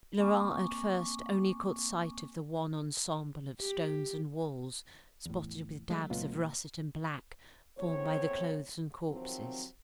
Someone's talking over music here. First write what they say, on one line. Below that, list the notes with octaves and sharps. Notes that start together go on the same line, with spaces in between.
Laurent at first only caught sight of the wan ensemble of stones and walls, spotted with dabs of russet and black formed by the clothes and corpses.
A#3 C4 G#5 C#6 D6
G4
E2 A2
F#3 G#3 A3
C#2 A#2 B3 F4
E2 A2 C4 C#5
C3 D#3 F3 F#3 C4